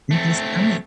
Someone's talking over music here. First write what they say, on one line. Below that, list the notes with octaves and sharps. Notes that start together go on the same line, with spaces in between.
be just kin
A3 C4